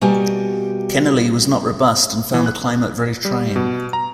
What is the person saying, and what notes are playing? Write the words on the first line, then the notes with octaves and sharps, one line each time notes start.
Kennerley was not robust and found the climate very trying.
B2 G3 A#3 F#4 G4 G#5
E3
F#6
G3
B2
A#5